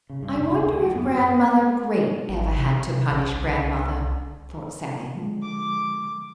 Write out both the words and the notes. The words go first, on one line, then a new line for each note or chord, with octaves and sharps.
"I wonder if Grandmother Great ever had to punish grandmother," thought Sallie.
C#3
G2
F1
C#3
D2
F#2
B3
F#2
G#1
C3
C3
A#1
C2
D3 F3 G#3
D6